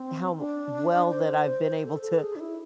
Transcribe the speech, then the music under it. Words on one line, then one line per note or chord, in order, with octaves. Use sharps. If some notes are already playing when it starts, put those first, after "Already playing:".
how well that I've been able to
Already playing: C4
D4
C5
A4
A4
G#4
D4
E4